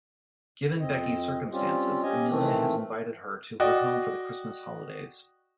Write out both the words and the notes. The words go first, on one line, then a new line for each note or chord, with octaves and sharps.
Given Becky's circumstances, Amelia has invited her to her home for the Christmas holidays.
F2 C4 D#5
G3 C4 C#4 F4 G4
C#4 G4 D#5 G#5
D#3 E3 A3 C4
F#4 D5 D#5 G5